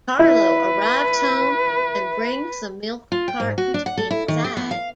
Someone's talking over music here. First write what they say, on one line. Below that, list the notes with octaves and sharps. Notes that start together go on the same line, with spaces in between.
Carlo arrives home and brings the milk cartons inside.
E4 B4
F4
G5
G#2
F#4
D4
F#5
A4
E4
D#3
G4
B3
F5